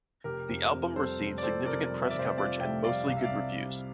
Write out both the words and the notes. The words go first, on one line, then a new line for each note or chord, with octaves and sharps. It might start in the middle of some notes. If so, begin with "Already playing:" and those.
The album received significant press coverage and mostly good reviews.
F1 G4 A#4
F2
C3
G3 A4 C5
F1
D5
F2 A4 C5
C3 A#4 D5
G3
E5
D5
F1 C5 E5
F2 D5 F5
C3 E5 G5
G3 D5 F5
C2 F5
E5
D5 F5
C3
G3